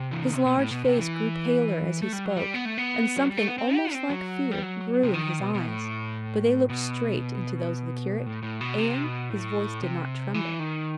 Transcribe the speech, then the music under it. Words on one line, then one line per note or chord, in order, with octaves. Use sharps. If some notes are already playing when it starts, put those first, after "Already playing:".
His large face grew paler as he spoke, and something almost like fear grew in his eyes, but they looked straight into those of the curate, and his voice did not tremble.
Already playing: C3
E3
D#3
C3
B2
A2
B2
C3
E3
A3
G3
F#3
G3
B3
A3
B3
F#3
G3
A3
B3
C4
G4
C4
F#3
G3
F#3
C3
D#3
B2
B2
A2
B2
A2
A2
B2
C3
B2
A2
C3
E3
D#3